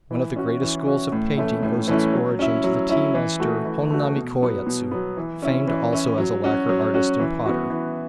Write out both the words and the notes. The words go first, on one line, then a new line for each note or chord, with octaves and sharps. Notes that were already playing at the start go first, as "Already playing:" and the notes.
One of the greatest schools of painting owes its origin to the tea-master Honnami-Koyetsu, famed also as a lacquer artist and potter.
E3
C#4 F#4
E3
C#4 F#4
A2
E3 A3 C#4 E4
A2
E3 A3 C#4 E4
F#3
C#4 E4
F#3
C#4 E4
E3
A3 F#4
E3
A3 F#4
B2
F#3 B3
B2
F#3 B3
E3
C#4 E4
E3
C#4 E4
F#3
C#4 F#4
F#3
C#4 F#4
E3
B3 F#4
E3